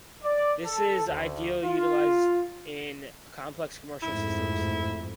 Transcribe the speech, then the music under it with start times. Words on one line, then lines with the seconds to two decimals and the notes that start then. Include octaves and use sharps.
This is ideally utilized in complex commercial systems.
0.23 D5
0.65 A4
1.07 D2
1.63 F4
4.02 F2 G#2 A3 E4